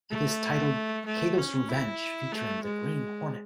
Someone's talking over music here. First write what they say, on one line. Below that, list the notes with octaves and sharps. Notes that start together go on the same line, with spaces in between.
It is titled "Kato's Revenge Featuring the Green Hornet".
A3
A3
C#4
E4
A3
G#3